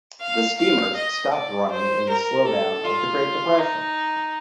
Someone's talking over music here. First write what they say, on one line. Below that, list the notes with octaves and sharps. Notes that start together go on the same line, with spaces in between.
The Steamers stopped running in the slow down of the Great Depression.
F5
F5
D#5
D5
C5
A#4
A4
F4
D#4